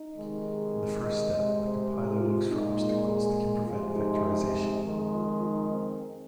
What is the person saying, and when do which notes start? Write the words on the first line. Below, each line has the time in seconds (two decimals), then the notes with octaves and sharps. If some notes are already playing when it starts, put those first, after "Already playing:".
In the first step, the compiler looks for obstacles that can prevent vectorization.
Already playing: D#4
0.16 C3 D#3 G#3
0.44 G#4
1.03 D#5
1.33 C3 G#3
1.62 C5
1.90 A#4
2.20 F4
2.49 A#2 G#3 D#4
3.08 G#4
3.66 F2 C3 G#3 F4
3.96 D#4
4.25 D#4
4.83 F2 D#3 G#3
5.12 F4
5.42 D#4
5.70 C4